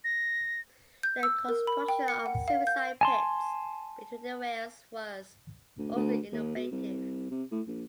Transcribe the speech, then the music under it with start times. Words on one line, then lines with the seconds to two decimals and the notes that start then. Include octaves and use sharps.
The construction of "suicide pits" between the rails was also innovative.
0.04 A#6
1.03 G6
1.23 E6
1.49 A#4
1.67 B5
1.88 G5
2.08 C#7
2.26 F#5
2.48 F5
2.67 G6
3.01 G#5 A5 C6
5.78 D2
5.95 D2
6.32 D#2
6.56 B2
6.71 C2
7.31 C3
7.51 A2
7.67 A#1